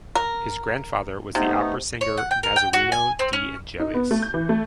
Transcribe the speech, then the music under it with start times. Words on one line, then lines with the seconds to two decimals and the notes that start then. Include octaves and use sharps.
His grandfather was the opera singer Nazzareno De Angelis.
0.15 A#4
1.35 C3 A3 B3 D#4
2.01 C#5
2.17 F#5
2.31 G5
2.43 A#4
2.56 G5
2.73 F#4
2.92 G#5
3.19 C4
3.33 C#4
3.80 D#4
3.94 B3
4.11 A3
4.22 G6
4.34 E3
4.49 A3